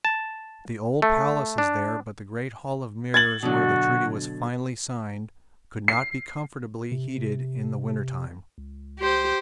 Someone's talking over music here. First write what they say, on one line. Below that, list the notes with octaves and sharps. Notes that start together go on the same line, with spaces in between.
The old Palace is there but the great Hall of Mirrors where the treaty was finally signed could not be comfortably heated in the winter time.
A5
A3
D4
G#6 A6 F#7
B2 D3 F#3 F#4
C7
C3
C#2
G4 C5